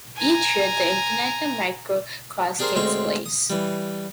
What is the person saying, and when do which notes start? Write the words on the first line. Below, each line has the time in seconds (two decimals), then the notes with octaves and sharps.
Each year, the international motocross takes place.
0.17 G#5 A#5
2.59 D4 G4 G#4 A#4 C5
2.75 D2 G#3 C4 C#4 C#6
3.26 D#6
3.50 E3 G3